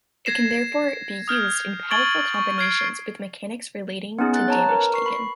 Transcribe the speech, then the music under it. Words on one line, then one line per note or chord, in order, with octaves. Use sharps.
It can therefore be used in powerful combinations with mechanics relating to damage taken.
G#6 A#6 C7 E7
D#6 F6 G6 G#6
C#6 G#6 A6 D7 F#7 G7
C#6
F6 G#6 C7 D7
B3 C#4 D#4 G#4
F#6 A6
C#5 A5 A#5
A#4 B4
C#6 C7
B5